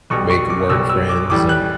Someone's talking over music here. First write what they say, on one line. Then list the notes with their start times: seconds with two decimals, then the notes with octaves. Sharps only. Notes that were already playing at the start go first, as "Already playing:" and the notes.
make work friends, and
0.10 B1 B2 G3 C#6
0.30 C#6
0.50 D6
0.70 B1 B2 G3 E6
0.89 E6
1.09 D6
1.30 A1 A2 E3 G3 D6
1.49 F#6